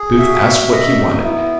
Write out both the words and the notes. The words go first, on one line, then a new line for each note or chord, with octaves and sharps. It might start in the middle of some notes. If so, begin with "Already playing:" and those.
Booth asked what he wanted!
Already playing: G#4
F#4 E5
E5
D#5
D#4
B3 E4